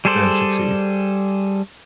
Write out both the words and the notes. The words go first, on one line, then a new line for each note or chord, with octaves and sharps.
then succeed.
G3 G#4 A4 C5 D5